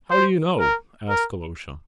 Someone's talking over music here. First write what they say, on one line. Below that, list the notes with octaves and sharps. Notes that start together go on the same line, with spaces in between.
"How do you know?" asked Alyosha.
C5
A#4
A#4